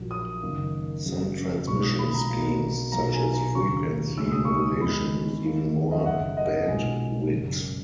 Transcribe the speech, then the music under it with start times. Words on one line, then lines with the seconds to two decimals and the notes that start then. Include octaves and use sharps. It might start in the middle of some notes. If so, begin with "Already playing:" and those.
Some transmission schemes such as frequency modulation use even more bandwidth.
Already playing: A#1 A#2 F#3
0.11 D#6
0.42 F#1 F#2 D#3 A#3
1.04 F#1 F#2 C#3 F#3
1.67 B1 A#2 G#3 C#6
1.82 D#6
1.99 B5
2.14 A#5
2.30 B1 B2 F#3 A#3
2.92 B1 A#2 F#3 A#3 A#5
3.14 G#5
3.34 A#5
3.55 D#2 C#3 F#3 A#3 C#6
4.18 C#2 B2 G#3 E6
4.32 D#6
4.45 C#6
4.59 D#6
4.81 E2 D#3 G#3 B5
5.43 D#2 D#3 A#3
5.91 D#5
5.98 E5
6.06 F#1 F#2 C#3 E3 F#5
6.37 D#5
6.68 B1 A#2 G#3 G#5
7.31 F#1 F#2 C#3